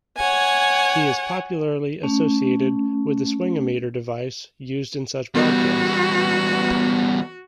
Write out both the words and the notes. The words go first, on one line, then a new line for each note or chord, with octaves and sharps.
He is popularly associated with the swingometer device used in such broadcasts.
C#5 F#5 G#5
A3 C#4
E2 G3 B3 F#4